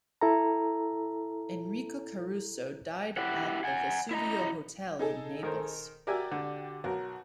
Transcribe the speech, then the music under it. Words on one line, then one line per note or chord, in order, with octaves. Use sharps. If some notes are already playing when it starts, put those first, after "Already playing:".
Enrico Caruso died at the Vesuvio Hotel in Naples.
E4 A4 A#5
E4 G4 F#5
F#5 G#5
E4 D#5 A#5
D#4 G#4 A4
D#3 A#4 C5
F#4 G4 A#4 D5 E5 G#5
D3
B1 F#4 A#4